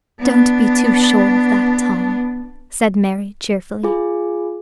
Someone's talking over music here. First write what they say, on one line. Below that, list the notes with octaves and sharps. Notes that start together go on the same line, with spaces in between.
"Don't be too sure of that, Tom," said Mary, cheerfully.
B3 D4
F4 G#4